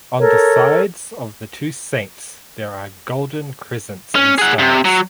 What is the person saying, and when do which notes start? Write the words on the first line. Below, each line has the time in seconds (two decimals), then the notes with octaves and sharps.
On the sides of the two saints there are golden crescents and stars.
0.19 A4 A#4 C#5
4.15 C#4
4.38 G#4 F#5
4.59 C3
4.85 F#3